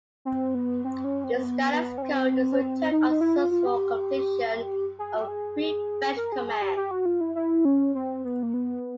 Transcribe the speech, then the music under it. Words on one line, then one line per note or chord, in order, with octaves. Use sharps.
This status code is returned on successful completion of a Pre-fetch Command.
C4
B3
C4
C#4
C4
B3
B3
C#4
C4
C#4
C4
D#4
D#4
E4
F4
F4
G4
G#4
F#4
G4
G#4
A#4
G#4
G#4
G4
G4
F#4
F4
E4
E4
C#4
C4
B3
A#3
B3